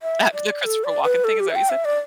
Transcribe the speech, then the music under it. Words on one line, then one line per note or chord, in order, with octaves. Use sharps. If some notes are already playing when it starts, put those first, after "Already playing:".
Uh, the Christopher Walken thing, is that what you said?
E5
D5
A4
D5
B4
A4
G4
E5
G5
E5
D5